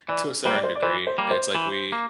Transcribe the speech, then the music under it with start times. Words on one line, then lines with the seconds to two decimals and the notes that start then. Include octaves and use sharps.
To a certain degree, it's like we
0.08 E3 D5
0.45 G3 A#3 C5
0.54 D5
0.63 C5
0.75 D5
0.82 E3 C5
1.07 C5
1.18 G3 A#3
1.31 C5
1.55 E3
1.92 A#3